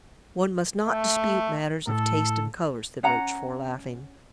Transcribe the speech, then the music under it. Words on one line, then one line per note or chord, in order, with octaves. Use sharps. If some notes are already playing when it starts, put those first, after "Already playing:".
"One must not dispute matters of taste and colors," said Rochefort, laughing.
A3
A2 A4
C#4 F#5 A#5